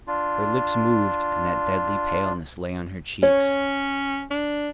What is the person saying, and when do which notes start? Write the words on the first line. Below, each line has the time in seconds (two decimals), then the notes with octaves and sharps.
Her lips moved; and that deadly paleness lay on her cheeks.
0.07 D4 F4
3.23 C#4 C#5
4.31 D4